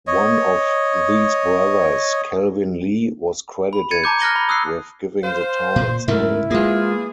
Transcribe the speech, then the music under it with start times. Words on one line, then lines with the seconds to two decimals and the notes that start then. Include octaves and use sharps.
One of these brothers, Calvin Lee, was credited with giving the town its name.
0.07 C#5 D#5
3.73 B5
3.91 G#6 A6 C#7 D#7
4.04 A5 A#5 D6 G6
4.20 F6 F#6 A#6 G7
4.36 B5
4.49 D#6 E6 F#6 C7
5.23 C5 F5
5.76 A#2
6.08 G#2 C#3 A3 E4 A#4
6.51 E3 G#3 A#3 F4 G#4